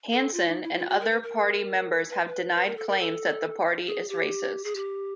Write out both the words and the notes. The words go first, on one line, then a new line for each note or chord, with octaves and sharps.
Hanson and other party members have denied claims that the party is racist.
A4
F4
D#4
E4
E4
F4
F#4
A#4
B4
A#4
B4
B4
B4
A#4
A4
A#4
A4
G#4
G4
G#4
G4